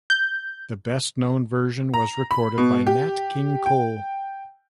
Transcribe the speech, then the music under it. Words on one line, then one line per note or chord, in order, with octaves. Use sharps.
The best-known version was recorded by Nat King Cole.
G6
A#5
B5
B2
G4
G5